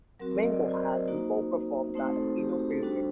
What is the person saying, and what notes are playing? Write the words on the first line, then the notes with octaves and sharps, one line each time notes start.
Menko has been popular from the Edo period.
F#3 C4 F#4 A#4
A#4
D#5
D5
C5
A#4
C5
A#3 D#4 F#4
A3 C4 D#4 F#4 C5
A4
G4
F#4
G4
A4
G3 D4 F#4 C5